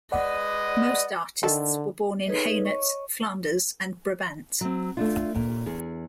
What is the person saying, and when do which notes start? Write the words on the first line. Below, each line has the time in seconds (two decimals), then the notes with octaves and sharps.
Most artists were born in Hainaut, Flanders and Brabant.
0.12 G#3 B4 D5 D#5 F#5
1.43 D3 D#3 A4
2.26 D#4 G#4 A4 B4 C#5 D#5
2.65 C#5 D#5 C#6
4.61 F#3 C4
4.97 A3 D4 F4
5.35 A#2
5.66 E2 G#4